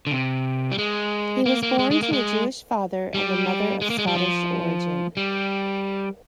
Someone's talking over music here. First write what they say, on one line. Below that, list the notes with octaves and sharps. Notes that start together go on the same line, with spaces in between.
He was born to a Jewish father and a mother of Scottish origin.
D3
C3
G3
G#3
A#3
A#3
G#3
G#3
A#3
G#3
G3
G#3
A#3
G#3
G3
F3
G3